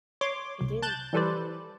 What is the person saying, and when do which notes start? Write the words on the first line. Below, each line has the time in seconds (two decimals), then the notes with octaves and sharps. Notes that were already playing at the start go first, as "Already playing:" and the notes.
It is.
0.21 C#5 C6 D6
0.61 C2
0.82 A5 F#6 G6 A6
1.13 E3 G3 A4 B4 C5 D5